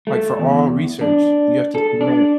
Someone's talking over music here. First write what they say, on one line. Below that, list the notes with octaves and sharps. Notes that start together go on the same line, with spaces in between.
like for all research, you have to submit,
A3
E2
D4
A4
D4